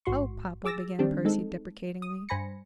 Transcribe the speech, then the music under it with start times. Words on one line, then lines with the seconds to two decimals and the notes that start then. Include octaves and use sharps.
"Oh, papa!" began Percy, deprecatingly.
0.05 A1 G#2 F#4 C6 C#6
0.65 G#4 D6 E6 A6 A#6
0.99 D#3 G3 C4 D4 G4
1.25 G#3 C4 D#4 A4
2.02 D#6
2.29 G2 C5 G#5 B5 A#6 C#7